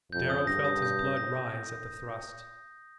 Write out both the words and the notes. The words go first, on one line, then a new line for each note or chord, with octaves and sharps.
Darrow felt his blood rise at the thrust.
F2 G6
D#6
G2 A#6
D#6
G6
D#6
A#6
D#6